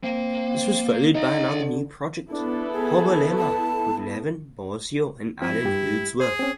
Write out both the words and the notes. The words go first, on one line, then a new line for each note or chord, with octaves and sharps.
This was followed by another new project, HoBoLeMa, with Levin, Bozzio and Allan Holdsworth.
A#3 C4
D#4 C#5 D#5
D3
B3 D4 E4 A4
G#4
A5
F3 C4 E4
G2 G4
G#4 C5
C4 C#4